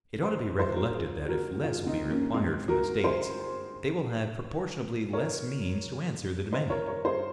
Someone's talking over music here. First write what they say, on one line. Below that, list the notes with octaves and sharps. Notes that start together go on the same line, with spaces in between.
It ought to be recollected that if less will be required from the States, they will have proportionably less means to answer the demand.
G#4 C5
G#4 C5
F#4 A#4
F4 G#4
G#4
F#4 A#4
F4 G#4
C4 D#4
A#3 C#4
G#3 C4
F#4 A#4
G#4 C5
A#4 C#5
C5 D#5
A#4 C#5
A#4 C#5
G#4 C5